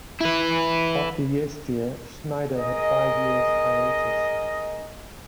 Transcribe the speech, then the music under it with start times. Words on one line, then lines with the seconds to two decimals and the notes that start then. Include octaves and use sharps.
After "Yes, Dear", Snyder had five years-hiatus.
0.21 E4 B4
2.55 G#4 A#4 D#5